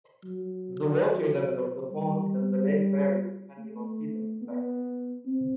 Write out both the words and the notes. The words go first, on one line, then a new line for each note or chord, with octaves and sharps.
The water level of the ponds and the lake varies depending on seasonal effects.
F#3
G3
A3
B3
C4